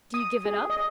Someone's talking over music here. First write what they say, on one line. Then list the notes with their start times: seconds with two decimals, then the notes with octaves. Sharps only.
"Do you give it up?"
0.14 D#6
0.45 G#4
0.70 D#5